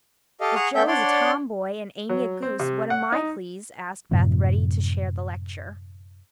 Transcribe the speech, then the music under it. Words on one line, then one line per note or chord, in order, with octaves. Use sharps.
"If Jo is a tomboy and Amy a goose, what am I, please?" asked Beth, ready to share the lecture.
G4 A4 D#5 F5
G#4 F#5 A#5 C#6 D#6
A3 B3 A4 E5 G5 G6
D4 C#5 D5 F#5 C6
F#3
C4
C3
F#5
D#4
F#2 A2 C3 F3